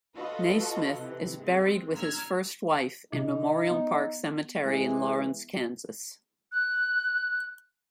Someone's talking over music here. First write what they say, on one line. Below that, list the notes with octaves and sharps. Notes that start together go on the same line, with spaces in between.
Naismith is buried with his first wife in Memorial Park Cemetery in Lawrence, Kansas.
F4 F#4 A4 B4 D#5
C3 E3
G#3 C4
A#5 E6 F6 G#6
C3 D#4
B3
E3 G#3
F#6